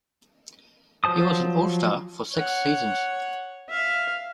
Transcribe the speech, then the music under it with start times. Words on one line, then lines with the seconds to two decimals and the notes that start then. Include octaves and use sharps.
He was an All-Star for six seasons.
1.04 F3 F#3 C5 A5 D#6
2.33 C#5 F#5
3.69 E5 F5